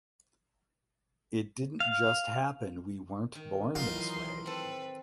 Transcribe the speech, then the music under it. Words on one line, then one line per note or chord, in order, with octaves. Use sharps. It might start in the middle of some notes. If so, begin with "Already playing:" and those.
It didn’t just happen. We weren’t born this way.
F5
D#3
E3 F#3 D#4 F4 C6
C4 A4 B4